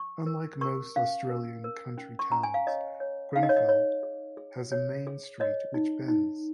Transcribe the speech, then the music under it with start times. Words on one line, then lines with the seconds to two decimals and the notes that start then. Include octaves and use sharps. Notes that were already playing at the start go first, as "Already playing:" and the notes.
Unlike most Australian country towns Grenfell has a main street which bends.
Already playing: C#6
0.26 A#4
0.61 A#4 C#6
0.96 C#4 F5
1.30 A#4
1.64 A#4
1.98 C#4
2.19 C#6
2.32 C#4 A#5
2.43 G#5
2.54 F5
2.67 C#5 D#5
3.00 C#5
3.36 D#4 F5
3.43 D#5
3.49 C#5
3.56 D#5
3.69 C#5
4.03 G#4
4.37 G#4
4.72 C#5
5.07 G#4
5.40 C#5 D#5
5.74 D#4
6.08 D#4